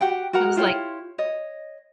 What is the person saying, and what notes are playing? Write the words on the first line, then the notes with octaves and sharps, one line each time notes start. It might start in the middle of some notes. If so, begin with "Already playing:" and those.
It was like
F#4 G4 F#5 G5
F#4 A#4 F#5 A#5
E4 F4 G4 C#5
C#5 D#5